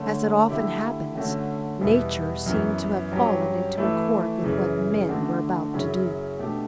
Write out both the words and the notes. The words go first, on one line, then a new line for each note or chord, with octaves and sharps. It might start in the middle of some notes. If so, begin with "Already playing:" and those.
As it often happens, nature seemed to have fallen into accord with what men were about to do.
Already playing: D3 A3 C#4
D3 A3 E4 G4
D3 A3 C#4 F#4
E2 B2 G3 B3 E4
F#2 E3 B3
G2 F#3 C#4 G4
E3 A3 E4
F#2 C#3 E3
D3 A3 D4 F#4
F#2 C#3 F#3 C#4 E4
B2 A3 D4 G4